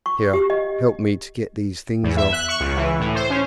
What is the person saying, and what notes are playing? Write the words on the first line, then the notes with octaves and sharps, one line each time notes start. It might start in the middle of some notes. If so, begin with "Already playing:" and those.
"Here, help me to get these things off."
C#6
G4
D#5
E2
E5
F#6
C#6
C#2
E3
A2
C5
C#4